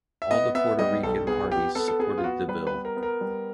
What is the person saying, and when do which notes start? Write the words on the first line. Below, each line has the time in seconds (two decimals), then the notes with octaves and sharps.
All the Puerto Rican parties supported the bill.
0.22 E5
0.31 B3 D#5
0.55 B3 E5
0.79 G3 D#5
1.03 B1 A4
1.27 B3 G#4
1.51 B3 G4
1.75 B3 A4
1.88 A4
1.99 B3 G#4
2.18 F4
2.24 B3 F#4
2.48 G3 B4
2.67 B4
2.73 B3
2.85 A#4
2.97 B3
3.03 A#4
3.21 G3